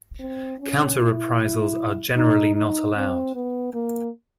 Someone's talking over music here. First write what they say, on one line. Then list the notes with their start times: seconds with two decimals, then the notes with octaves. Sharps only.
Counter-reprisals are generally not allowed.
0.20 C4
0.60 C#4
0.99 E4
2.16 D#4
2.56 D#4
2.96 C4
3.35 B3
3.74 A#3